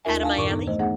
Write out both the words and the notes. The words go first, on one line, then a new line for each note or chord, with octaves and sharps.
Outta Miami?
D#2 D#4 F4 A#4 E5 G#5
D4 F5 G#5 A5
F#2 A2 D#3 A#4 C#6 D6
B3 D#4 A4
E3 A3 C5 D#5
A3 B3 D#4 G#4 F#5